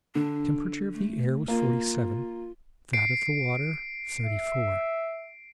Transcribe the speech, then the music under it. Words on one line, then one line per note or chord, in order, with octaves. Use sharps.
The temperature of the air was forty-seven, that of the water thirtyfour.
D3 D4
A3
A#3 F4
C7 D7
E5